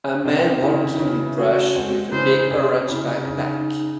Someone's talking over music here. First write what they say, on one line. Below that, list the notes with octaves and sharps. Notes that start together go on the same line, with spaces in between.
A man walking in brush with a big orange backpack.
C3 D#3 C4
C#3 E4
C#3 E3
A3 C#4 F#4
G#3 C4
C#3 E3 C5
C3 G#4
C#3 E4
C#3 D#4